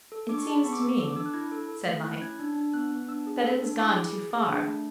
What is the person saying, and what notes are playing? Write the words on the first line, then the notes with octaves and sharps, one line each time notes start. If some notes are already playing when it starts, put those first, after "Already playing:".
'It seems to me,' said Mike, 'that it has gone too far.
A4
D4 D6
C#6
G#4 A5
B5
B3 C#6
D6
B3 E6
A4 E6
D6
D4 E6
F#6
E4 G#6
A4
A4
A3
E4 F#6
C#4 G#6
D4
D4
B3 F#6
B3
D4 E6
G#4
A4
D4
E4 D6
G#4
G#4
G#4
D4
A3